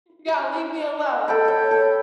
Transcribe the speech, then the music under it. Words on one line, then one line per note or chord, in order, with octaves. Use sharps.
Yeah, leave me alone.
D#5
A4 G5 B5
C#5 G5
A4